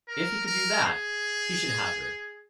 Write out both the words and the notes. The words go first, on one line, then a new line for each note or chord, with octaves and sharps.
If he could do that, he should have her.
A#4
A#4
G#4